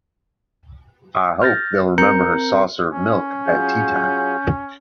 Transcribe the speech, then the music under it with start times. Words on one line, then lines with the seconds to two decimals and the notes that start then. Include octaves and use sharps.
I hope they’ll remember her saucer of milk at tea-time.
1.42 F6 G6 A6 A#6
1.98 C4 A#4 A#5 G6 C#7
2.91 C#4
3.47 F#3 F4 G#4 G6